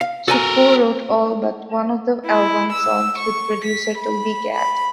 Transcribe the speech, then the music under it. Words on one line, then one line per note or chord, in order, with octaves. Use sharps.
She co-wrote all but one of the album's songs with producer Toby Gad.
F5
F#4 A4 A#4 G#5 A#5
E4
E6
C#6
B6
B5
B5